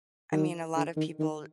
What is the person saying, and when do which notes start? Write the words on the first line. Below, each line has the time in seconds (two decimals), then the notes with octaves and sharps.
I mean, a lot of people
0.32 D#3
0.76 D3
0.97 D#3
1.19 D#3